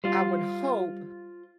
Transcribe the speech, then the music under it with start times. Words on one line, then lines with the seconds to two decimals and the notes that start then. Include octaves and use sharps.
I would hope
0.04 G3 F4 C5